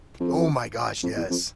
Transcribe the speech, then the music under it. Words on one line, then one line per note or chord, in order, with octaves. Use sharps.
Oh my gosh. Yes.
F2
F2
E2
F2